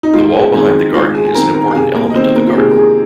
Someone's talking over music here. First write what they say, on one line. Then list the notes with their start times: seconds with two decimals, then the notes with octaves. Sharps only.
The wall behind the garden is an important element of the garden.
0.03 D#4
0.13 G#2 F4
0.34 G#3 G#4
0.53 D#3 G#3 C4 G#4
0.94 G#2 F4 F5
1.14 G#4 G#5
1.25 G#5
1.34 D#3 C4 A#4 A#5
1.54 A#4 A#5
1.71 F5
1.75 C3 G#4 G#5
1.95 A#3 A#4
2.10 D#5
2.15 D#3 A#3 C4 C5
2.35 A#3 A#4
2.47 F4
2.56 C3 G#3 G#4
2.71 A#4
2.76 G#3 G#4